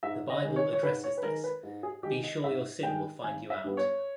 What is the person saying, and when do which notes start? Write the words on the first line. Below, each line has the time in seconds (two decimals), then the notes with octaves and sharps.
The Bible addresses this: Be sure your sin will find you out.
0.03 G#2 E5
0.30 D#5
0.43 D#3 G#3
0.56 C#5
0.73 C#5
0.83 G#2 B4
1.04 C#5
1.17 B4
1.23 D#3 G#3 A#4
1.44 B4
1.63 G#2
1.83 G#4
2.03 D#3 G#3 G4
2.24 D#5
2.43 G#2 E5
2.83 D#3 G#3 G5
3.24 G#1 G#5
3.50 E5
3.64 G2 G3 B3
3.77 C#5